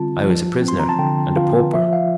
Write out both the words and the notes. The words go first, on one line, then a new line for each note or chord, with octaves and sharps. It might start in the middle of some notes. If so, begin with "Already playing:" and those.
I was a prisoner and a pauper.
Already playing: D3 G3 C4 F4 A5
F3
C4
C6
A#5
A5
D3 G5
F4 F5
F3 E5
F5